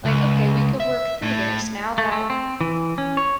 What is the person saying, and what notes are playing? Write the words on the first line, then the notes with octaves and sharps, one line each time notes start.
Like, "Okay, we could work through this now that
C#2
E5
A2
A3
A3
C4
E3
C#4
C#5